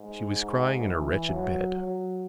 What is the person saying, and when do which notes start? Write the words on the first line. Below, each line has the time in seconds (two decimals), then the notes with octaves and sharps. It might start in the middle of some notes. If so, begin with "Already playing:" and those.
She was crying in her wretched bed.
Already playing: G#2
0.83 E3
1.29 F#3
1.76 F#3